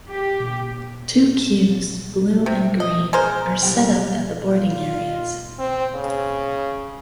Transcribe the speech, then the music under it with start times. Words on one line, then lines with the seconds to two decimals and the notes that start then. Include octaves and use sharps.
Two queues, blue and green, are set up at the boarding areas.
0.13 G4
2.46 C3
2.80 D#5
3.13 G#3 A#4 C5
3.63 C2 E3 G3 G5
4.53 F4
5.59 C4
5.95 C#3